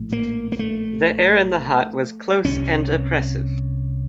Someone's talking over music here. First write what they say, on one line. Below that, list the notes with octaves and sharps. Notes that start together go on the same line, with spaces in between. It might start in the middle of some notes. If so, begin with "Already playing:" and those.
The air in the hut was close and oppressive.
Already playing: A#1 A2
A#3
A#3
A3
C2 C3 C#4